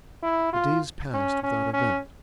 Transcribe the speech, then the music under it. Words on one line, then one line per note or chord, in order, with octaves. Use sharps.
The days passed without event.
E4
F4
C#4
C#4
C#4